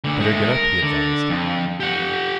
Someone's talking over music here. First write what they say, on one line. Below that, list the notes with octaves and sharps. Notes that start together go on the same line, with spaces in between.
"Better get up," he advised.
D2 D3
G#3 A3
A#4
D3
F2
G4 F#5